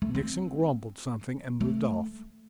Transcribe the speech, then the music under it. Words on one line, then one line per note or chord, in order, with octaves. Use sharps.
Nixon grumbled something and moved off.
A3
C4
A3